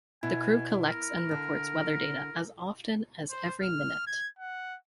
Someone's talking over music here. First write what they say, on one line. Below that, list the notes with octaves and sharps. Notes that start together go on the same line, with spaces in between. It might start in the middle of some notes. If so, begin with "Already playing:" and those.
The crew collects and reports weather data as often as every minute.
B2 E4 G#5
A#4
D3
C5
F6
G#6
F#5